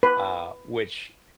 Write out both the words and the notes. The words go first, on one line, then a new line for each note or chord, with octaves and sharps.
uh, which,
B4